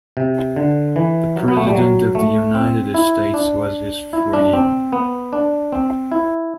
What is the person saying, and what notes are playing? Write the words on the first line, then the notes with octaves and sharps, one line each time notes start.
The President of the United States was his friend.
C3
D3
E3
F#3
B3
A3
G3
F#3
A3
C4
E4
D4
E4
D4
C4
B3
D4
C4
E4